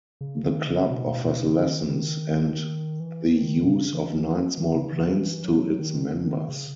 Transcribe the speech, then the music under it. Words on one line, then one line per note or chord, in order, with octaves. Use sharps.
The club offers lessons and the use of nine small planes to its members.
C#3
D#3
C#3
B2
B2
B2
C#3
D#3
E3
D#3
B2
C#3
E3
E3
D#3
C#3
E3
E3
F#3
D#3
D#3
C#3